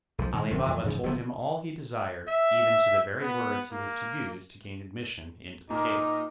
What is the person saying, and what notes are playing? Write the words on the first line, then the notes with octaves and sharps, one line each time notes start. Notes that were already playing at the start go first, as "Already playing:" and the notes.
Ali Baba told him all he desired, even to the very words he was to use to gain admission into the cave.
B1 D#3 F3
A#2 D#3 G3 G#3
E1 F#2 D#3 C4
F2 E3
G#2 C#3 E3 F3
F#1 D3 F3 B3
E5
B3
A#3
A#2 D#4 A#4 A#5 D6